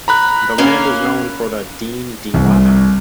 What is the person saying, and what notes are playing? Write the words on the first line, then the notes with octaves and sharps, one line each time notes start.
The land is known for the 'Deen Deewana'.
A#5 B5 F#6
A#3 C#4
C2